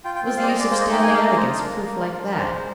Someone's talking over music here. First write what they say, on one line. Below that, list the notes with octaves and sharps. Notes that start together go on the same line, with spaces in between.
What was the use of standing out against proof like that.
F4 G5
G5
C4
G5
G#3 F5
D5
D#5
G#3
D5
A#3 C5
D#5
D#4
G5
A#3 G#5
F5
D#4 D#5
F4 C5
D4 G#4
A#4
A#3
A#3
F4
D4
G#3 C5
G#3